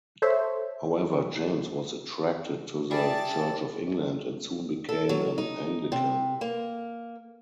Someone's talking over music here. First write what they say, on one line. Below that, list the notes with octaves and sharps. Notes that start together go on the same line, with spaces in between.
However James was attracted to the Church of England and soon became an Anglican.
A4 C5 C#5 E5
G3 G#4 D5 E5 A5
A4
F#3
D#4
C3
A#3